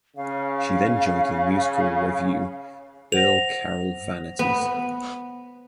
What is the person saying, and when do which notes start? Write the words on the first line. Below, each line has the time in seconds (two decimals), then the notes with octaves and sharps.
She then joined the musical revue "Earl Carroll Vanities".
0.17 C#3 F5
3.12 C5 F#5 A#6 F7
4.39 B3